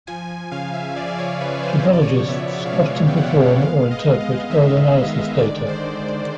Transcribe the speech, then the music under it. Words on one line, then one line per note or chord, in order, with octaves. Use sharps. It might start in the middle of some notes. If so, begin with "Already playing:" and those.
Tribologists often perform or interpret oil analysis data.
F3 G#5
C#3 F5
E5
F3 D5
D5
C#5
C#3 B4
C5
B2 D#5
D5
C#5
D5
B3 E5
F5
G#3 E5
G5
B3 F#5
G#3 F5
D#5
G#3
D#5
D#3 E5
G#3
D3 D5
C5
D3